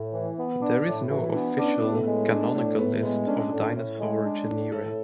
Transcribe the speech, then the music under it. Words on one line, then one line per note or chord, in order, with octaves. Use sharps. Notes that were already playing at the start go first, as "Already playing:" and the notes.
There is no official, canonical list of dinosaur genera.
Already playing: A2
E3
B3
D4
A2
E3 F#4
E4
B3 D4
C#4 D4
A2 B3
A3
G#3 B3
D4
A2 A3
A2 B3
G#3 B3
C#4 D4
A2
A2
G#3
D4
A2
A2 A4